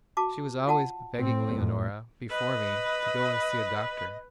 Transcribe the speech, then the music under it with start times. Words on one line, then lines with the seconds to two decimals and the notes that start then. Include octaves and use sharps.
She was always begging Leonora, before me, to go and see a doctor.
0.17 F#4 A5 D6
0.68 F4 F#5 A5
1.16 A2 C4
1.51 F2 A2
2.31 B4 D#5